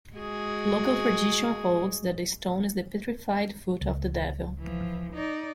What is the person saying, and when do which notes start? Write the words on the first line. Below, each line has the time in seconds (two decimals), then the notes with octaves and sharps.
Local tradition holds that the stone is the petrified foot of the devil.
0.16 G#3 F#4 G#4
3.81 C#2
4.60 E3 F3
5.13 D#4 D5